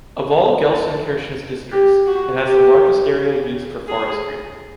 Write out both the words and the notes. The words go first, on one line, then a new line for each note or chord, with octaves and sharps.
Of all Gelsenkirchen's districts, it has the largest area used for forestry.
A4
G4
F#4
G4
G#4